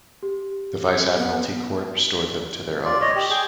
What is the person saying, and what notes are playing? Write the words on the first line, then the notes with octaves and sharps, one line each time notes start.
The Vice Admiralty Court restored them to their owners.
G4
B3
F4 D5
C#5 D#5
G4
G#4 G5